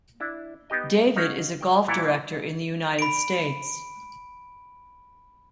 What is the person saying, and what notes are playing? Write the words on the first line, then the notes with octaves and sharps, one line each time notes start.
David is a golf director in the United States.
D4 E4
B3 D#4 G4 D#5
C#4 D#4 F#4 C#5 F5 F#5
G5
A#2 E3 E4 C#5 D5
B5 D7